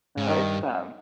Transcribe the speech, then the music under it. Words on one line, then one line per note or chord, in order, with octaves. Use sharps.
No, it's them.
G#2
G2 D#3